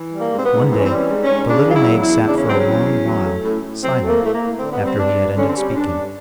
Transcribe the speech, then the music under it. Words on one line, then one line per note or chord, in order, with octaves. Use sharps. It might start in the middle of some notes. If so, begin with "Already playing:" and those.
One day the little maid sat for a long while silent after he had ended speaking.
Already playing: E3
G3
A#3
G#2
C4
B3
G#2
E3 C4
C#4
C4
G3
C#4
G#2
C#4
G#2
C#3 D4
F#3 F4
E4
E2
E4
E2
C#3 D4
C#4
F#3 C4
C#4
E2
E2
F#3
A3
A2
A2
F#3 C4
A3
A#3
A2 A3
A#3
A2
D3 C4
B3
G3
C4
G2 D4
G2
D3 C#4
C4
G3 C#4
C#4
G2 D4
G2